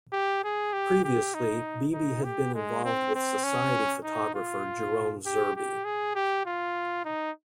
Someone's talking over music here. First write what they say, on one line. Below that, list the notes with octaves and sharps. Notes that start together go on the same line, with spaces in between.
Previously, Beebe had been involved with society photographer Jerome Zerbe.
G4
G#4
G4
G4
D#4
D#4
G4
G#3
C4
C4
C#4
D#4
F4
G4
G4
G#4
G4
F4
D#4